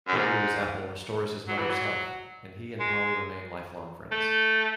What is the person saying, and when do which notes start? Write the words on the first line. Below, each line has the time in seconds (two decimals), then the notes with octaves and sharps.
Digory's apple restores his mother's health, and he and Polly remain lifelong friends.
0.08 F#2
0.16 G#2
1.48 F#3
1.59 E3
1.70 F#3
2.80 G#3
4.11 A3